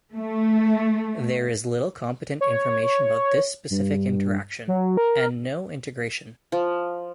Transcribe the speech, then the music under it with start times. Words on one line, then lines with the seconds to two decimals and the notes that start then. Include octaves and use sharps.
There is little competent information about this specific interaction, and no integration.
0.15 A3
2.41 C#5
3.70 G2
4.68 F#3
4.97 A#4
6.52 F3